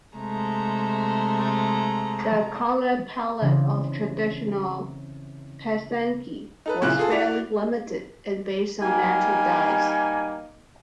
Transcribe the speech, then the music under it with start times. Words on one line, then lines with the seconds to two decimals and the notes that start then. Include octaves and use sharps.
The color palette of traditional pysanky was fairly limited, and based on natural dyes.
0.15 C3 G#3 A3 A#5
3.41 C#3 E3 C4 D4
6.66 D#4 A4 B4
6.82 A#2 C#3 E4 F#6
6.97 F4 G#4 A4
7.10 E4 F#4 D5 F7
8.82 G3 A#3 D#4 G#5